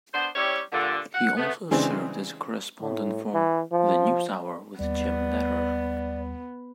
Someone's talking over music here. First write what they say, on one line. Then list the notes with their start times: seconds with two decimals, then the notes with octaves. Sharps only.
He also served as a correspondent for "The News Hour with Jim Lehrer".
0.14 B3 D4 C5
0.35 G3 C#4 E4 G4 C#5
0.72 G2 A#2 D3
1.14 F#5
1.37 A3 B3
1.71 C#3 E3 G#3 C4 D4
2.81 A2
3.34 E3
3.72 F3
4.79 D#2 G3 B3 D5